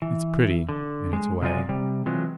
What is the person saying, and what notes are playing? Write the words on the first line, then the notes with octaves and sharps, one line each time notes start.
It's pretty in its way.
E3
D3
G#3
C3 F#3 G#3 F4 D5 G#5
C3 G3
E3 F#3 G#3 C4 F4